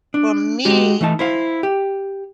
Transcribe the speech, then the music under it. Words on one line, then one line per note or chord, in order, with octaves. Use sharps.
for me,
D4
G#3 D#4 F#4 G4
E3 A3 D#4 A5
E4 C5 F5
G4